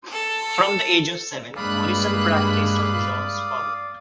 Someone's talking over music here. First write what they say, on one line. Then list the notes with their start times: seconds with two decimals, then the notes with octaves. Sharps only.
From the age of seven Morrison practised on John's cornet.
0.12 A4
1.56 G2 G#3 A#3 D5 F5 B5 D#6 F#6